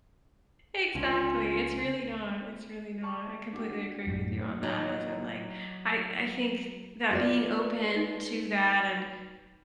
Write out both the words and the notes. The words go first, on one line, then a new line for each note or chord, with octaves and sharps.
Exactly, it's really not, it's really not, I completely agree with you on that as in like, I I think that being open to that and
C#2 C#4 D4 F4
C#5 A5 C#6
D4 F#4 G4
F#2 A2
F#3 D#4
F4 F#4 B4 D5
D#4